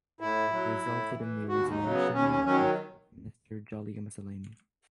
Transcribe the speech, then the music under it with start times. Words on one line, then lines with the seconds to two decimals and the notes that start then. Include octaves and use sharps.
It resulted in the resignation of health minister Julio Mazzoleni.
0.20 A2 E4
0.52 F#3
0.84 A2
1.18 E3
1.49 D#2 F#4
1.70 D#4
1.81 C#3 F#3
1.92 B3
2.13 D#2 C#4
2.29 C#4
2.45 D#3 F#3 C#4